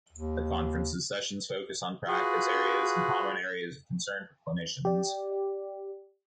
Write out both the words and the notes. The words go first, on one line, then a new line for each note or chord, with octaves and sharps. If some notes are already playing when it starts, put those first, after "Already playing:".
The conference's sessions focus on practice areas and common areas of concern for clinicians.
D#2
F4 F#4 G#4 B4
G4 D5